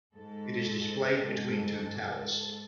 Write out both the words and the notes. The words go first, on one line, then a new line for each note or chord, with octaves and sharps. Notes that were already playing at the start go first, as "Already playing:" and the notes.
It is displayed between two towers.
G#2 A4